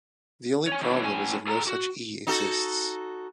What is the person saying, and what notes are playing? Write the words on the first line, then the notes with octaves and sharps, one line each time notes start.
The only problem is if no such "E" exists.
C#5 G#5
D#3 E3 A3 B3 D4 C#5
A2 C#4 G#5
G#4 A4 A#5
F#4
D#4 F#4 A4